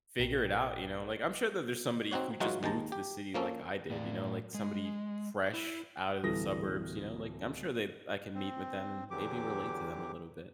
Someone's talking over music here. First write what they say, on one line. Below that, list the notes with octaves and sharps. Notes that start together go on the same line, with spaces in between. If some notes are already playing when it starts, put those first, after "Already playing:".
figure it out, you know? Like, I'm sure that there's somebody who just moved to the city like I did, you know, like somebody fresh out of the suburbs, you know, like I'm sure they I can meet with them, and maybe relate to them a little bit.
A#1 A#2 A#4 G5
C4 D#4 F#4 C#5
E3 F#3 G#3 D#4 F4 F#4
D#2 G#3 G5 A5 A#5
G4
F3 A#3 C#4 A4
A2 D5
G#3
E4
D1 E3 G3 A4 D#6 A#6
C4
E2 D3 E3 F#3 G4 D6